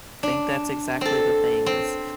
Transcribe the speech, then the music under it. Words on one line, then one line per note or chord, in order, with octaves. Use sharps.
think that's exactly the thing is,
D4
C4 A4
C4